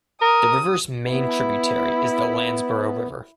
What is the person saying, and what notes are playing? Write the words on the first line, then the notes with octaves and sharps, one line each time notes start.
The river's main tributary is the Landsborough River.
A#4 D#6
B3 E4